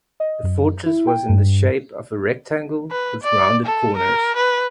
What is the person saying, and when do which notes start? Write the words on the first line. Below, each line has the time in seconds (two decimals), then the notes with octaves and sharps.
The fortress was in the shape of a rectangle with rounded corners.
0.20 D#5
0.43 F#2
0.86 E4
1.07 G5
1.29 G2
2.91 B4
3.23 D5
3.66 A4
3.97 A#4
4.36 B4